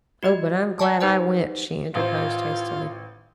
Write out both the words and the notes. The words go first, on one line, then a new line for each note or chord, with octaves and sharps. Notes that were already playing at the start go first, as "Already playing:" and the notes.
"Oh, but I'm glad I went," she interposed hastily.
F#4 G4 D#5 G#6
D5 F#5 G#5 A5
D#4 G4 B4 C5 F#5
A1 F4 C5